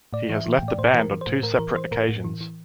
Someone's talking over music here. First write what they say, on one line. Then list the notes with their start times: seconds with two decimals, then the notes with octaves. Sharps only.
He has left the band on two separate occasions.
0.13 A2 D5
0.30 E3
0.35 E5
0.46 E3
0.57 G5
0.62 A2
0.68 D5
0.78 A2 C5
0.94 E3
0.99 A#4
1.11 E3
1.21 C5
1.27 A2
1.43 A2 A#4
1.59 E3 A#4
1.75 E3 C5
1.91 A2 A#4
2.09 A2
2.24 E3
2.41 E3